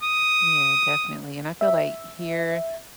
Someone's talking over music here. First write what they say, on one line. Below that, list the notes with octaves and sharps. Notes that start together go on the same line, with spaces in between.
Yeah, definitely, and I feel, like, here,
D#6
E5